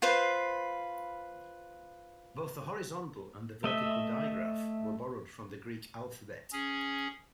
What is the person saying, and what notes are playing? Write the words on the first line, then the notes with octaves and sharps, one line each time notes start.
Both the horizontal and the vertical digraph were borrowed from the Greek alphabet.
F4 B4 C5 B5
A3 D#5 E5
C#4 G#4